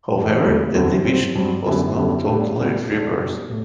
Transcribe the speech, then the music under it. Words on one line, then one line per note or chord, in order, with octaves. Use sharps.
However, the division was not totally reversed.
A2 E3 A3
E2 D3 F#3 C4 E4
E2 D3 F#3 C4 E4
G2 F#3 C4
G2 F#3 C4
F#2 D3 G3 B3 E4
F#2 D3 G3 B3 E4
A2 G3 B3 D4
A2 G3 B3 D4
B2 G3 D4
B2 G3 D4
A2